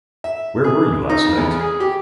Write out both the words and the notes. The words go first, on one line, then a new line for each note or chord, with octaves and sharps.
Where were you last night?
E5
G#4
D#4
F2
E2
G#4
G4